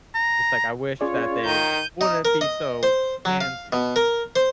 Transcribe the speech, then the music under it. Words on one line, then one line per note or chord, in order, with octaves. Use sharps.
It's like I wish that they wouldn't be so handsy.
A#5
C#4 F4 G#4 C#5 D5
D#3 A#5 G6 D#7
D#4
A#4
D#5
C5
F#3
F5
B2
A#4
C5